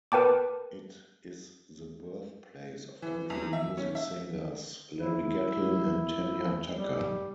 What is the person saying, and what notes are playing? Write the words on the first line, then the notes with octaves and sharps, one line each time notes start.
It is the birthplace of country music singers Larry Gatlin and Tanya Tucker.
A#4 B4 G5 A5 D6
E3
E2
E5
C#4
E5
E4
G3